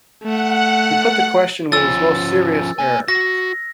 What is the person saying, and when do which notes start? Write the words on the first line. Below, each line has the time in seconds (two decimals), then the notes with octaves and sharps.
He put the question with his most serious air.
0.23 A3 F#5
1.72 F3 C#4 E6 A6
2.79 A#3 G#5
3.08 F#4 A#6